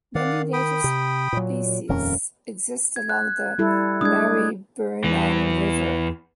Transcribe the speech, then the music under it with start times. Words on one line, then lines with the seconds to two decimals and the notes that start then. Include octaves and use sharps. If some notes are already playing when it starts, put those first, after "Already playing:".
Many native species exist along the Maribyrnong River.
0.15 D#3 D5 F5 F#5
0.53 G5 B5 D#6
0.84 C3
1.33 A#2 F#3
1.89 D#1 F2 C#4 A#4
2.96 G#6
3.09 F#6
3.59 G3 E4 A4
4.01 G#3 D4 D#6 G#6
5.04 E2 E3